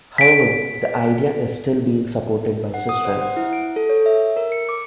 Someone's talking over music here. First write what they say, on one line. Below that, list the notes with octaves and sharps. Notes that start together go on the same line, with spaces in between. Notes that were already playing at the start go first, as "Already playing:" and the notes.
However the idea is still being supported by Sustrans.
B6 D7
F#5
D#6
C5
F#5
E4
D7
A4
C#5
E5
A#4
C#7
D6